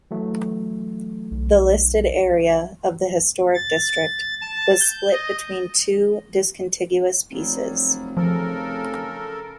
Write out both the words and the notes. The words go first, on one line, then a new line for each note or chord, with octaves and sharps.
The listed area of the historic district was split between two discontiguous pieces.
E3 F#3 A3
B1
A6
A5
G6
D#5
F1 F#3 G3
C#3 F3 A4 A#4